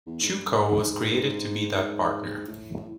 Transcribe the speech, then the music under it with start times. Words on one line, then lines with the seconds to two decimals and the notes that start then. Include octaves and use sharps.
Chewco was created to be that partner.
0.07 E2
0.21 G#2
0.32 G2
0.59 G#2
2.48 A2
2.76 A2